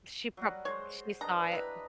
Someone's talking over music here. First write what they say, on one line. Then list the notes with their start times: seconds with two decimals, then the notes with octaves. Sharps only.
She prob She saw it. Mm.
0.37 F#3 G3 F#4
0.65 G#3 C5 C#5
1.21 D4 B4 D#5 A#5
1.52 G3 E4 B4 A#5